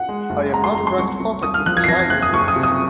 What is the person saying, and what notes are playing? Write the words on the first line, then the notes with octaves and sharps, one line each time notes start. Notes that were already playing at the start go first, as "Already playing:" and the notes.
I am not in direct contact with Al these days.
Already playing: F#5
G#3
F#1
G#3 A#5
C6
F#1 A#5
C6
C2 C#6
C2
C2 D#6
F6
F3 F#6
G#6
C7
F2 A#6
G#6
F#1 F#6
D#6
F#1 C#6
D#6
C3
D#6